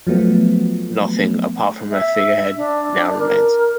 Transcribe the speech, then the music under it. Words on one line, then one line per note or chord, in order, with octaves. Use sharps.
Nothing, apart from her figurehead, now remains.
F3 F#3 A3 B3
E5
D4
A#4